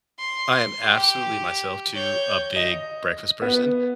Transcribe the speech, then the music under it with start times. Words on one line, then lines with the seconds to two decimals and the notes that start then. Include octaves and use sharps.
I am absolutely myself too a big breakfast person.
0.19 C6
0.85 G4
1.94 C#5 G6
2.56 D#5
3.42 B3